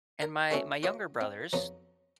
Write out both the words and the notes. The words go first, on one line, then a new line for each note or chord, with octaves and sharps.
And my my younger brothers,
A#4
G#3 A3 B3 C#4 F#4 A4
F4 F#4 B4 C#5 D#5
C4
F2 F3 F#3 B3 D#4